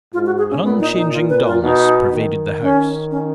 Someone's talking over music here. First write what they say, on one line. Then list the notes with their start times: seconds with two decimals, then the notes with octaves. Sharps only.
An unchanging dullness pervaded the house.
0.13 G#2 F4
0.26 F#4
0.38 G#4
0.51 C#4
0.64 A#2 B3
0.80 D#4
0.97 D#4
1.12 F4
1.29 B4
1.46 F4
1.62 B2 D#4
2.13 D#3
2.62 C#4
3.11 C#4